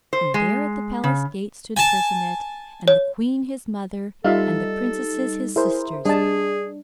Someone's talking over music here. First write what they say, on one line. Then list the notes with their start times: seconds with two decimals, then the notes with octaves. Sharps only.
And there, at the palace-gate, stood Percinet, and the queen, his mother, and the princesses, his sisters.
0.13 C5
0.34 G#3
1.04 C#3
1.77 G#5 A5
2.88 C#5
4.24 G3 D#4 F4 A4 E5 F5
5.56 E4 G#4 A#4 C5
6.05 G3 D4 G#4 D#5 A5